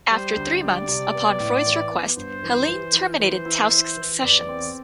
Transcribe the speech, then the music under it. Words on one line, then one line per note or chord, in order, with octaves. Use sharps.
After three months, upon Freud's request, Helene terminated Tausk's sessions.
G3 C5
D2
G3 D5
C3
B3
A2
E3
B3
G2 C5
E3
E3
E3
E3 C5
E4
E3
E3
E2 D5
C4